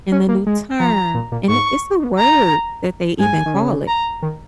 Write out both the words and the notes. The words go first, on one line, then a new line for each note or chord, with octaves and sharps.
and the new term, and it it's a word, that they even call it,
C#4
A#3
G#3
F3 A#5
A#2
A#2
G#2 C#6
A#5
G#2 G#5
D#3
C#3
A#5
D#3